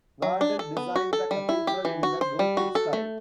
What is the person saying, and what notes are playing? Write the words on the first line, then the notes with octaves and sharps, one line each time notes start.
Wardell designed the cathedral in the Gothic style.
F#3
D4
A4
B3
F#4
A4
G3
E4
G4
E3
F#4
C5
G3
F#4
A4
A3